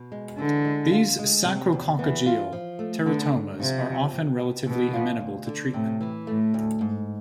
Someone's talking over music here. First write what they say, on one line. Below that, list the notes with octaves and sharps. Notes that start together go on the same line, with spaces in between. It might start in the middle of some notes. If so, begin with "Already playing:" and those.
These sacrococcygeal teratomas are often relatively amenable to treatment.
Already playing: B2
G#3
D3 E3
G#3
F4
G#3
C3
E2
E3 B3
F4
F3
A3
D3 B3
G#2
C3 F3
F2
C3
B3
B2 E3
F4
D2
D3
A2 C3
E3
A2 A3
D2
G#2